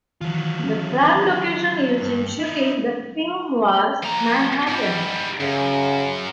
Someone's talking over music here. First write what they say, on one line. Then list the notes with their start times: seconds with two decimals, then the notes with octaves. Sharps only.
The prime location used in shooting the film was Manhattan.
0.21 D#3 E3 F#3 F4
0.63 C#4
2.01 G2
2.39 D#4 E4
4.03 F3 A#5
4.68 G#2 G3
5.40 F#2 C#3